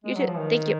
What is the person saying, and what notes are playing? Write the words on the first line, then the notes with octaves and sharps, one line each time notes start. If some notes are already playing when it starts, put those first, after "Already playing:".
You too. Thank you
G#3
F#3
F3
D#3